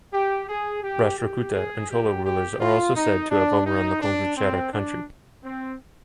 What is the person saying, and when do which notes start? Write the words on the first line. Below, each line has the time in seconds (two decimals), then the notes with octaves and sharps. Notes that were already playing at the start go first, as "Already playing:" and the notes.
Rashtrakuta and Chola rulers are also said to have overrun the Kongu Chera country.
0.13 G4
0.48 G#4
0.83 G4
1.19 G4
1.53 G#4
1.90 G4
2.24 G4
2.60 F4
2.95 D#4
3.30 D4
3.66 D#4
4.01 D4
4.37 C4
4.72 D4
5.43 C4